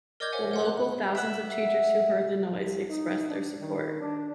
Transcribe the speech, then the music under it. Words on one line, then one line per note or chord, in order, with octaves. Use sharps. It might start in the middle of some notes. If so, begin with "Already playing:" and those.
The local thousands of teachers who heard the noise expressed their support.
A#4 D5 D#5 D6 G6 G#6
C5 C#5 E5 F#5 G#5
A#4 F#5 C6
F#6
E5 F#5
C2
D#4
D4
D#3
D4